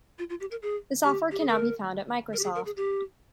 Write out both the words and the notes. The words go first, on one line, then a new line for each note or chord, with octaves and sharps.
The software can now be found at Microsoft.
F4
F4
G4
A#4
G#4
G4
G4
G#4
A#4
A#4
G4
G#4
A#4
G#4
G4